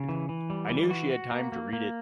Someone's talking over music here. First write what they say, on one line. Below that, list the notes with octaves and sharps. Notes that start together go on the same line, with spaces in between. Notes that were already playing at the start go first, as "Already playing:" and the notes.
I knew she had time to read it.
Already playing: C#3
E3
E3
G3
E3
F#4
F#4
A#3
A#3
A#3